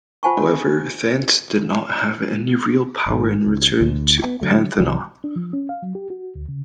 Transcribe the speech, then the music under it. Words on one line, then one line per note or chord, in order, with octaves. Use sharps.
However, Thant did not have any real power and returned to Pantanaw.
F4 C5 F#5 G#5 A5 C#6
G#1 G#2
C#2
D2
B3
D3 F#3 A3
C2 E3 F#3 G3
D4
F3
C#4
F5
F#3
G4
F#4
D2
C#3